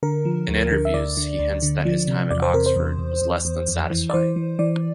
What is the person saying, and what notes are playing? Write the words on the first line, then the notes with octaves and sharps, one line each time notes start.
In interviews, he hints that his time at Oxford was less than satisfying.
D3 A#4
F3
D2
D3
E5
D2 D5
D3
D2
D3
F3
C3
E2 D5
C5
C3 A#4
C5
E2
E2
E2
E2
F2
E3
D5
E3 C5
E3
E3 D5